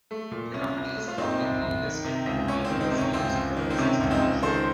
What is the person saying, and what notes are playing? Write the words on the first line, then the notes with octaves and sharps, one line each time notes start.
The company is a publicly listed entity on the Australian Securities Exchange.
A3
A#2
C2 C#4
C2
A3
F4
A#2 C4 D#4
C2
C2
D#3
C3
C#2
C#2 C#4
C4
D#3
C4 D#4
C3
C#4
C#2 C4
C#2
D#3
C4
C3 C#4
C#2
C4 D#4
C#2
D#3 A4 C5